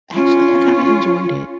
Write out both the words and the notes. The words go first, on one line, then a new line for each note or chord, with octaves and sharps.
actually, I kinda enjoyed it,
C#4 F4